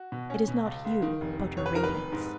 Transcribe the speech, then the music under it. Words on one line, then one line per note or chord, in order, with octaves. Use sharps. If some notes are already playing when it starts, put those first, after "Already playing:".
It is not you, but your radiance.
Already playing: F#4
B2
C#4
B2
C#2
C#2
D#3
F1
F1
F1 C#5
B4
D#3 A#4
B4
F1
G#2